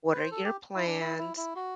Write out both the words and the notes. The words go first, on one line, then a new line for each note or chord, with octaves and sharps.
What are your plans?
B4
C5
A4
G4
E4
D4
E4
E4
E4
F#4